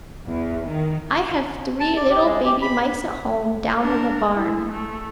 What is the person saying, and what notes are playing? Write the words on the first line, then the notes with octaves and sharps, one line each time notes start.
I have three little baby mice at home down in the barn.
E2
D#3
A5
D5
G4
G#3
G4
B5
D4 A#4
E4
A3